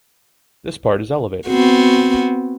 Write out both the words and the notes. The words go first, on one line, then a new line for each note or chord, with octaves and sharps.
This part is elevated.
B3 C4 F#4